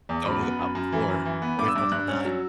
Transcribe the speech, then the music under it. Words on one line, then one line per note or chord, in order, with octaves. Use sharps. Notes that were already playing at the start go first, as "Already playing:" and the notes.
going about before. What are your thoughts on that?
E2
F#2 B5
B3
F#2
F#2
E3
F#2
E3
B3
G2 D6
E6
G2 D6
G2 F#6
C#4
F#3